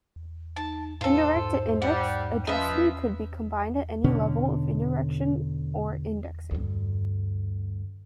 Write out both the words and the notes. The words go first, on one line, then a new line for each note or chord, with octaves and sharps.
Indirect and indexed addressing could be combined at any level of indirection or indexing.
D#4 A5
A2 F4 A4 C5
G#2
G3 F#5
F3 C#4 B4 D#5 E5
B2 D3 C#4
D2 G2